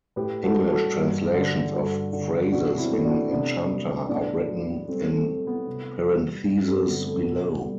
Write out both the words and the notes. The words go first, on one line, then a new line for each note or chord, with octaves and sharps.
English translations of phrases in Enchanta are written in parentheses below.
A2 G4 B4
F#4 A4
G3
F#4 A4
G2
D3
G2 F#4 A4
D3
B2 D4 F#4
C4 E4
A3
D4 F#4
C3 B3 D4
G3
A2 B3 D4
F#3
G3 A3 C4
A3
A3 C4
B3
C3
G3
G2
A3 C4
D3 B3
A3
B2 B3
G3